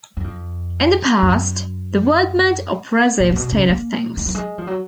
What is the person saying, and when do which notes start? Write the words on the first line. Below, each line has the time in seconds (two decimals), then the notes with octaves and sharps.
In the past, the word meant oppressive state of things.
0.17 F#2
0.24 F2
1.22 F#2
3.20 A#2
3.31 A#2
3.36 B2
3.52 C#3
3.69 A#3
4.17 G#3
4.26 F#3
4.35 G#3
4.58 F3
4.67 F#3